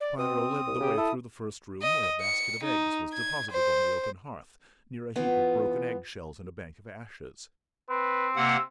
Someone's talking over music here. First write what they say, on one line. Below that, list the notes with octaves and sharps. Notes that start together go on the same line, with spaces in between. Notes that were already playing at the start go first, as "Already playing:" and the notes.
Piero led the way through the first room, where a basket of eggs was deposited on the open hearth, near a heap of broken egg-shells and a bank of ashes.
D5
B2 C4 D#6
C2
C#3 G4
E4 A4
D#5
C#7
D#4
G#6
C5
E3 B3 F4
C4 B4
C3 A#3 F#5 E6